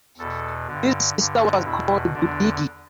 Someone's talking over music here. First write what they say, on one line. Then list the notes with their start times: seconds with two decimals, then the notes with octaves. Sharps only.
His sister was called "Budigi".
0.18 E2 B2 A4
0.67 G2 D3
1.17 G2 D3
1.65 E2 B2 E4
2.14 E2 D3 D4